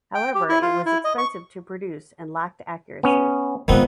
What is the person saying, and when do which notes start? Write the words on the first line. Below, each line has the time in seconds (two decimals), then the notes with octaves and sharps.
However, it was expensive to produce and lacked accuracy.
0.15 G5
0.35 G4
0.49 E4
0.62 F4
0.86 E4
1.05 D#5
1.18 C#6
3.03 B3 C#4
3.68 G#1 A#2 D#3 G#3 B3 C4